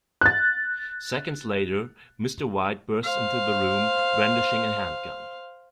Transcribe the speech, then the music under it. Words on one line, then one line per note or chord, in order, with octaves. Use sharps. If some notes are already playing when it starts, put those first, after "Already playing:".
Seconds later, Mr. White bursts into the room brandishing a handgun.
F#6 A6
C5 F5